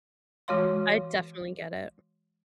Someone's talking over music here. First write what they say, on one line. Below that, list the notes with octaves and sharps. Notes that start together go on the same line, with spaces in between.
I definitely get it.
E3 G#3 F#4 C#5 F5 C6